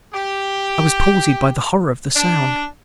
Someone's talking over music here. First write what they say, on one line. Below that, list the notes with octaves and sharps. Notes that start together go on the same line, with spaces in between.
I was palsied by the horror of the sound.
G4
D4